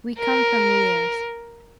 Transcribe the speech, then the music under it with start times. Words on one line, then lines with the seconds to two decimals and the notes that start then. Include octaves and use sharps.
We come from Llers.
0.19 A#4